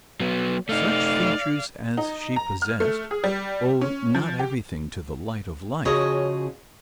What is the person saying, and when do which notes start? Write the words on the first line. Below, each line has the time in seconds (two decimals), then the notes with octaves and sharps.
Such features as she possessed, owe not everything to the light of life.
0.20 F#3 B3
0.69 A3 D#4 D5 F5
1.97 D#4
2.36 A#5
2.62 F6
2.80 A3
3.11 G#4
3.24 G3
3.81 C#4
4.15 F3
4.39 G4
5.85 C#3 F3 C#4 F#4 G#4 D#5